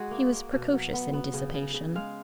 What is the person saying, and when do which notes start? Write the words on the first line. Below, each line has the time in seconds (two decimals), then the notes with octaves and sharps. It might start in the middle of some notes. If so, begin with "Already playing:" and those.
He was precocious in dissipation.
Already playing: G#3 F#4 G#4
0.11 A#3
0.32 A#3
0.53 B2
0.73 F#3
0.94 B3
1.13 B3
1.34 C#3
1.54 C#3
1.74 C#3
1.95 G#3 F5